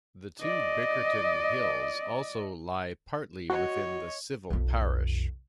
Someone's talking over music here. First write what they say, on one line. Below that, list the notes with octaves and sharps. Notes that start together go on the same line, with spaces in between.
The two Bickerton Hills also lie partly within the civil parish.
D5 D#5
F#4 C#5 D#5
B1 F2